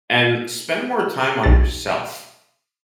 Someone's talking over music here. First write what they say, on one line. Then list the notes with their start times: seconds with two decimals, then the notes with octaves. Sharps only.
and spend more time on yourself.
1.44 B1 A6